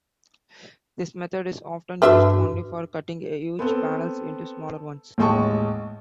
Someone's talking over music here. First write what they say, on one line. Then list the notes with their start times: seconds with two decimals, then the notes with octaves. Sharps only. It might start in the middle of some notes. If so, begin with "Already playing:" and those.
This method is often used only for cutting huge panels into smaller ones.
2.02 G2 A3 D4 F#4 B4 E5
3.59 B3 C4 A4
5.18 A1 D#2 G#3 G5 A5 C#6